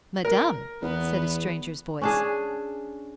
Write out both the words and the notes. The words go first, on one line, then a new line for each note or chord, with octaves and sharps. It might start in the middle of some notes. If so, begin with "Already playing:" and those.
"Madame!..." said a stranger's voice.
A#4
E2 B3
C#4 D4 G#4